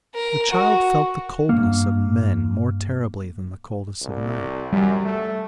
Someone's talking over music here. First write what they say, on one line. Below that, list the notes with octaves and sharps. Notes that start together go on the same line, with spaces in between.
The child felt the coldness of men more terribly than the coldness of night.
A#4
F#4
G2 A#3 F6
C2
F#2 G3
A3